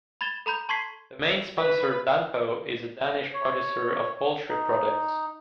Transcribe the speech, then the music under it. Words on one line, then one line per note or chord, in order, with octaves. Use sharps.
The main sponsor Danpo is a Danish producer of poultry products.
B5 G#6 A6 E7 G7
A4 A#5 B5 G6
A5 C6 C#6 G#6 B6 C7
B4
C#5
D#4